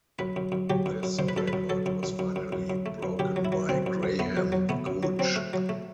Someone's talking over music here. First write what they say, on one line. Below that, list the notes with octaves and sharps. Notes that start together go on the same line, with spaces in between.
This record was finally broken by Graham Gooch.
F#2 B4
F#2
F#2
F#3 G4
F#2
F#2
F#2 C5
B4
F#2 A4
B4
F#2
F#3 A4
F#2
F#2
F#2
F#2
F#2
F#2
A3
F#2
F#2 G4
F#3
E4
F#3
F#2 C4
F#2
F#2
A3 B3
F#3
F#3
A3 B3
F#2
F#3
F#3 C4
A3
F#3
A3